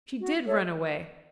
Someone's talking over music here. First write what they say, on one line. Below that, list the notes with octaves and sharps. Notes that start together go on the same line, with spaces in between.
She did run away.
F#4
A4 C#5 E5